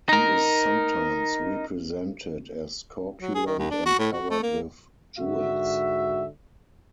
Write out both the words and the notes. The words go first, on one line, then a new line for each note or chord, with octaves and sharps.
He is sometimes represented as corpulent and covered with jewels.
D#4 A#4
F#3
G#4
D#3
D#2
D4
F#4
A2
F#4
A3
A#3
G#2 D3 F#4 E5